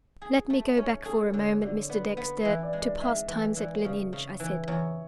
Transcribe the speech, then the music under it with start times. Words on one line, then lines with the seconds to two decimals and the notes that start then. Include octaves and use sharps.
"Let me go back for a moment, Mr. Dexter, to past times at Gleninch," I said.
0.22 G#4
0.50 A3
0.77 C#4 C#5
1.05 G#4 A4
1.33 D3 C#5
1.55 C#5
1.62 D3 D5
1.75 C#5
1.89 B3 D5
2.17 B3
2.45 E3 E5
2.63 D5
2.73 G#3
2.82 D5
3.01 G#3 E5
3.28 E3
3.56 E3 D5
3.74 C#5
3.85 C#3 D5
4.13 C#3
4.40 E3
4.68 E2 C#5